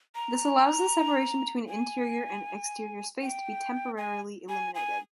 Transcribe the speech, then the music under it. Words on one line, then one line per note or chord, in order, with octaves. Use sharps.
This allows the separation between interior and exterior space to be temporarily eliminated.
A#5
G#5
G5
G#5
G#5
G#5